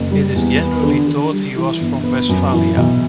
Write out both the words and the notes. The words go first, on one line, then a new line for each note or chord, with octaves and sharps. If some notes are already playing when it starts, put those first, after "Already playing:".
It is generally thought he was from Westphalia.
Already playing: F#1
G3
E2
B3
D3
D3
G3
E3
G1
B3
F#2
E3
B1